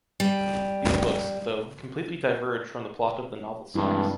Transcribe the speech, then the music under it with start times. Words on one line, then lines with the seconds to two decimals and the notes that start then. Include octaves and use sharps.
These books, though, completely diverge from the plot of the novel series.
0.20 G3
3.75 E2 G2 C3 G#3 E4